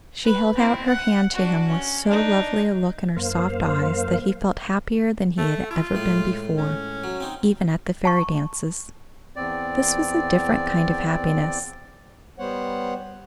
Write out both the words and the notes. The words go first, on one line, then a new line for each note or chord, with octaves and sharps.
She held out her hand to him with so lovely a look in her soft eyes that he felt happier than he had ever been before, even at the fairy dances. This was a different kind of happiness.
B4
C4 E4
F#5
D4 F#4
C#4
D4 D#4
F#2 A#3 C5 F5
A3
F4
A2 G#3
C#4
F#3
C4 D#4
A5 C#6
E2 C4 D5
G3 B3 C5 C#5 F#5